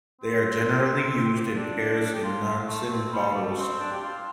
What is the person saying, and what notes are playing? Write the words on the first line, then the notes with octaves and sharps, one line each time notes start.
They are generally used in pairs in Nansen bottles.
C4
G4
F4
D4
G4
F4
F4
A3
C4
G3
A3
C4
D4
G4
F4